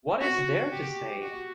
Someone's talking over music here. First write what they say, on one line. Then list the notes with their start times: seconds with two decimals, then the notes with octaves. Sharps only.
What Is There to Say?
0.21 F#4
0.71 G4
1.22 F#4